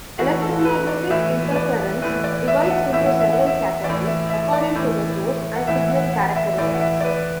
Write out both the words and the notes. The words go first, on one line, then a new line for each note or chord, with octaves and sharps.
Electromagnetic interference divides into several categories according to the source and signal characteristics.
A2 E3 F#4
A4
A4
B4
D5
A2 E3 E5
B4
D5
A2 E3 B4
D5
E5
E5
F#5
A2 E3 E5
F#5
E5
F#5
E5
A2 E3 D5
E5
E5
D5
A2 E3
F#5
A2 E3 E5
F#5
F#5
E5
A2 E3 D5
F#5
E5
D5
B4